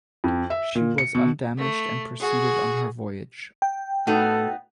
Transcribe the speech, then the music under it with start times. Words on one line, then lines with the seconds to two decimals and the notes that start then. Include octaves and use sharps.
She was undamaged and proceeded on her voyage.
0.24 F2
0.50 E5
0.75 A#2
0.98 C#7
1.15 B2
1.58 A3
2.20 F#4 G#4
3.62 G5
4.07 A2 B3 D#4 F#4 A4